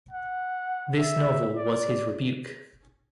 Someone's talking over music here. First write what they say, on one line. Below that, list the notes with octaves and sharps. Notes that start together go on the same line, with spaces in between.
This novel was his rebuke.
F#5
E5
D5